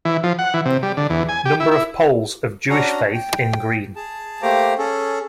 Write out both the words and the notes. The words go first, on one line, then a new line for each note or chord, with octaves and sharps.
Number of Poles of Jewish faith in green.
E3
F3
F#5
E3
C3
G3
D3
E2
G#5
G4
E4
E4
C#4 D4 F#4 A#5
G5
G#4 A5
A3 A#3 G4 C5 A#5 D6
C#4 G#4 A4